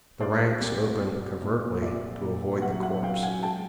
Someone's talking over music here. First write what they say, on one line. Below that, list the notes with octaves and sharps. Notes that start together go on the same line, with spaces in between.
The ranks opened covertly to avoid the corpse.
A#2 C5 D5
C2
C2
A#2
C2 D5 E5
A#2
F#3 E5 F#5
E5 F#5
F#3 F5 G5
F#5 G#5
G#3 G5 A5